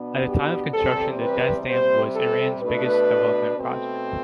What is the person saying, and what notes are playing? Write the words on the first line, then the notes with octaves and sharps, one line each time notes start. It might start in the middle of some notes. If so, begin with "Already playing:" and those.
At the time of construction the Dez Dam was Iran's biggest development project.
Already playing: B2 B3 D4
G4
E2 C3 G3 C4 A4
B4
C3 G3 C4 C5
A4
B2 A3 D4 B4
B2 A3 C4